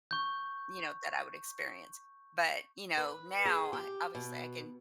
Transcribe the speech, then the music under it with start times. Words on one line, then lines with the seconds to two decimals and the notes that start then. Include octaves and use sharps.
you know, that I would experience. But, you know, now I obviously I can
0.11 C#6 G6
2.97 B4
3.45 G#4
3.73 G4
4.15 B2